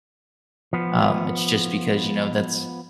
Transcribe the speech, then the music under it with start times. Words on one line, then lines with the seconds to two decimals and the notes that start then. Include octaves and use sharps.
Um, it's just because, you know, that's
0.73 F3 B3